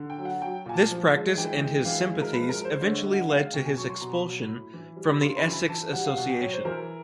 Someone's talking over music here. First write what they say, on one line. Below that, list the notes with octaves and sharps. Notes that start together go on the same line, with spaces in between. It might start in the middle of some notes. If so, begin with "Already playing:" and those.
This practice and his sympathies eventually led to his expulsion from the Essex Association.
Already playing: D3
G5
F#3
F#5
F#3 G5
A#2 G#5
A5
F3
G#3
E3 G5
G#3
E3 F5
G#3
A#4
F3 B4
A#4
G#3
C5
D3 C#5
D#5
F#3
F#5
G#3 F5
F5
B2 G5
G#5
F#3 C#6
C6
B2 A#5
B5
F#3
A2
E3
G3
B5
C#3 C6
B5
E3
B5
E3 A5
G3 F#5
F5
B2 F#5
G5
F#3 C#5
C5
E3 A#4